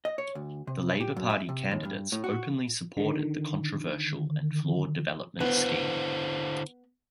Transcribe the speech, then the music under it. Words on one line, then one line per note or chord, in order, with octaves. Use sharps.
The Labour Party candidates openly supported the controversial and flawed development scheme.
D#5
C#5
D2
C3
G4
F#2
E5
C3
D#2
G2
A2
F#4
D3 D#3
D3 B3 E4 C5